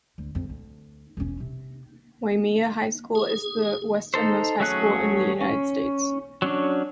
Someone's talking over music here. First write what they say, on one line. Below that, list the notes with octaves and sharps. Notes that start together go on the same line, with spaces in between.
Waimea High School is the westernmost high school in the United States.
D2
F2
D2
E1 C#4
C3
G#4
D#4 A4 C5
F#3 A3 C#4 G#4 F#6
C#4
F#3 C#4 D4